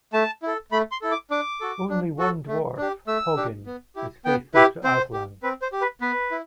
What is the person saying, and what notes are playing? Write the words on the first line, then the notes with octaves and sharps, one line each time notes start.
Only one dwarf, Poggin, is faithful to Aslan.
A3 A5
E4 A4
A3 B5
C6
E4 A4
D6
D4 D6
F#4 A4
D4
F#4 A4
A3
D4 G4
A3 E6
D4 G4
B3
E4 G4
B3 G5
E4 G4 B4
C4 C5
G4
C4 B4
C5
G4
B4
B3 B4
E4